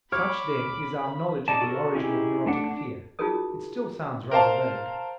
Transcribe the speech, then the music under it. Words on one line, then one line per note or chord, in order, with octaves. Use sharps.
Such then is our knowledge of the origin of neurotic fear; it still sounds rather vague.
C#5 B5 D6 F6
D#4 D5 A5
F#4 A4 A#4
C#4 D#4 E4 G4 G#4
A3 D4 F#5
D4
D#4 F4 F#4 G#4 A#4 D#6
A#4 C5 F5 A5